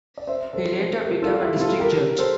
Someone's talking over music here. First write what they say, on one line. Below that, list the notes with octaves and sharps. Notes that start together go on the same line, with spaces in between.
He later became a district judge.
D5
C5 E5
A4 C5
A4 C5
G4 A#4
F4 A4
E4 G4
F4 A4
G4 A#4
A4 C5